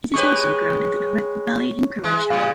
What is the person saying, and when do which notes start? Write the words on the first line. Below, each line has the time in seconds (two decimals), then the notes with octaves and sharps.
It is also grown in the Neretva valley in Croatia.
0.14 G#3 G4 B4 C#5 C#6
2.04 E3 G#3
2.30 A2 C#3 G3 F5